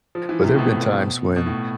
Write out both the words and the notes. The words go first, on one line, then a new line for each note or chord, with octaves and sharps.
but there've been times when
F3
E3
C3
A2
B2
B2
A2